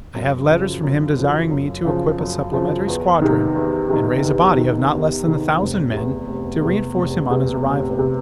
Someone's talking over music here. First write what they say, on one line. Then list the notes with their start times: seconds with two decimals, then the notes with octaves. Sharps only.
I have letters from him desiring me to equip a supplementary squadron and raise a body of not less than a thousand men to reenforce him on his arrival.
0.15 F#2
0.49 C#3 F3
0.83 F#2
1.17 C#3 F3
1.51 F#2
1.85 C#3 F3
2.19 F#2
2.53 C#3 F3
2.88 E2
3.22 C3 D#3
3.55 E2
3.89 C3 D#3
4.23 E2
4.57 C3 D#3
4.91 E2
5.25 C3 D#3
5.60 F1
5.93 E2 C3
6.27 F1
6.61 E2 C3
6.96 F1
7.30 E2 C3
7.63 F1
7.98 C3